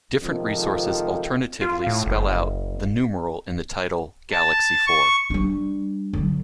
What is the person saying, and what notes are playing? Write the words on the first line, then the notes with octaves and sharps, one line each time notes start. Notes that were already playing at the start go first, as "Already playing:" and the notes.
Different resources alternatively spell out the numeral in the title: "Galaxy Four".
F2 G#2 C3 D#3 F3
F4
A2
F#1
A5
C#6
G3 D4
D3 F#3